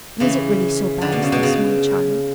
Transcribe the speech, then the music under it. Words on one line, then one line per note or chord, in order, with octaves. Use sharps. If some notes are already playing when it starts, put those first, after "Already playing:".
And is it really so bad as this, my child?
C#3 E3
D3
B2
C#3
B2
C#3